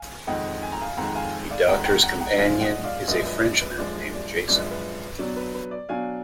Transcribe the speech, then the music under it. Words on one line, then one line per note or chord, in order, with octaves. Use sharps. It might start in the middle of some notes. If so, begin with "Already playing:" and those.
The Doctor's companion is a Frenchman named Jason.
Already playing: F5 G#5
F2 D#3 G#3 D#5 F#5
G#5
A#5
F5 G#5
F2 D#3 G#3 F#5 A#5
F5 G#5
D5 F5
F2 D#3 G#3 F#5 A#5
F#5 A#5
F#5 A#5
F#5 A#5
F#2 F3 G#3 D4 F5 G#5
D#5 F#5
D5 F5
F#2 F3 G#3 D4 B4 D#5
B4 D#5
B4
D5
B4
F#2 F3 G#3 D4 D5
D5
F#2 F3 G#3 D4 D5
B4
B4
B2 F#3 D4 D5
B4
B4
D5
B2 F#3 D4 F5 G#5